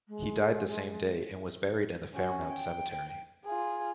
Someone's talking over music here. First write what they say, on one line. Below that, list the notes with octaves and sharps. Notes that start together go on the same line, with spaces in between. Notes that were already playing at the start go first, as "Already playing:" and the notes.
He died the same day and was buried in the Fairmount Cemetery.
G#3
C#4 F#4
G5
F4 G#4